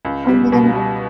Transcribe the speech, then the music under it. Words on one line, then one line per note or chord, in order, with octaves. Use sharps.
Oh my goodness.
C#2
G3
B2
G3